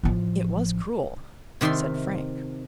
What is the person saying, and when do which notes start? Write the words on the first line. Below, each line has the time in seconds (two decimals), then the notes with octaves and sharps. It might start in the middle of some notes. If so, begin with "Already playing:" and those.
"It was cruel," said Frank.
0.03 A1 F3
1.61 C3 D#3 E5 A5 C6